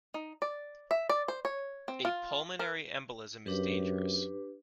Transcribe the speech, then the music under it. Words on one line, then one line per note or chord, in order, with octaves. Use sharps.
A Pulmonary Embolism is dangerous.
D#4
D5
E5
D5
C5
C#5
C4
F4
A#4
F#2 D4 G4 B4